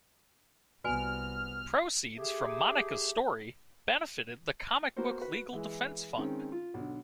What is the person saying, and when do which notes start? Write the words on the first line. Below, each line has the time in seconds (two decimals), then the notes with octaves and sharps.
Proceeds from "Monica's Story" benefitted the Comic Book Legal Defense Fund.
0.84 C2 B3 F#4 D5 G#5 F6
2.18 A3 G4 G#4
4.97 A#3 B3 F#4 A#4 C5
5.20 F#4 B4
5.53 E3 G#3
6.16 D#3 G#3 C4 C#4
6.52 F4
6.74 B1 D3